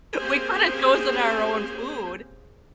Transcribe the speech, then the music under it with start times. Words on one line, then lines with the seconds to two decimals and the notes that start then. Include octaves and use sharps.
We coulda chosen our own food,
0.18 A#3 C4 C#4 G4 G#4 C5